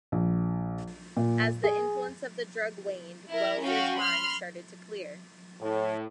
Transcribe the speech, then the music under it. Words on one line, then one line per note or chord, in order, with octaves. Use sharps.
As the influence of the drug waned, Wells' mind started to clear.
A#1
A#2
G#4
E4 A#4
C#4 F#4 F5 G5
B5 C6 F6
A2